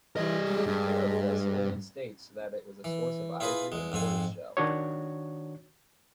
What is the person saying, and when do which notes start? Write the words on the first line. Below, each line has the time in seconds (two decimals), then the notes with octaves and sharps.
The "Periplus" only states that it was a source of ivory and tortoise shell.
0.17 E3 G3 D#5
0.48 G#3
0.66 G2
2.84 E3
3.40 E4 F4 G#4 B4 G#5
3.72 E2 G#3
3.92 F2 G#2 C4 G#5
4.57 D#3 D4 F#4 C#5